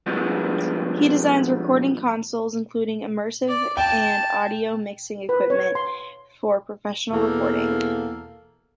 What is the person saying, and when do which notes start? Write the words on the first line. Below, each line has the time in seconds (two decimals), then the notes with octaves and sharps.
He designs recording consoles including immersive and audio mixing equipment for professional recording.
0.06 G2 F3 G3 G#3 B3
3.48 D5
3.77 G5 A5
5.29 B4
5.50 C#5
5.75 C6
7.12 E2 B2 A#3 A4